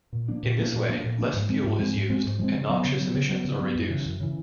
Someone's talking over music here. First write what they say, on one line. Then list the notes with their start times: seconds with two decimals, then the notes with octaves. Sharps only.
In this way, less fuel is used, and noxious emissions are reduced.
0.13 A#2
0.28 F3 A#3 D4
0.43 A#2
0.58 F3 A#3 D4
0.73 A#2
0.88 F3 A#3 D4
1.04 A#2
1.18 F3 A#3 D4
1.34 G#2
1.48 F3 G#3 C4
1.64 G#2
1.79 F3 G#3 C4
1.94 G#2
2.09 F3 G#3 C4
2.24 G#2
2.39 F3 G#3 C4
2.54 C#3
2.69 F#3 B3
2.85 C#3
3.00 F#3 B3
3.14 C#3
3.29 F#3 B3
3.45 C#3
3.60 F#3 B3
3.75 F#2
3.90 C#3 E3
4.05 F#2
4.20 C#3 E3